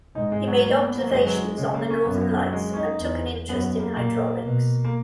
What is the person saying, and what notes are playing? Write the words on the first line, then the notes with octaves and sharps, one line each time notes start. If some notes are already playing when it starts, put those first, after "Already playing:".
He made observations on the northern lights and took an interest in hydraulics.
G#2 D#4
G#3
F#3
A#3
B3
A#3
F#3
F#2 G#3
F#3
G#3
C#3 G#3
A#3
C#4
F#2 B3
B3
F#3
G#3
C#4
D#4
E2 D#4
F#2 B3
B3
A#3
A#2 A#3
B2
A#3